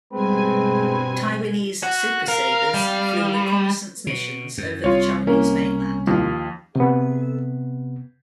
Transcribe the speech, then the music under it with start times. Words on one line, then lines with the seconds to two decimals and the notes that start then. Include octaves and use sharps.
Taiwanese Super Sabres flew reconnaissance missions over the Chinese mainland.
0.13 G2 B2 G#3 C4 B4 G#5
1.83 F#4
2.28 A#4 F5
2.74 G3
4.07 B2
4.58 F#2
4.84 C2 F4 C#5
5.27 A#3 C#4
6.07 D#2 F3
6.75 C3 B3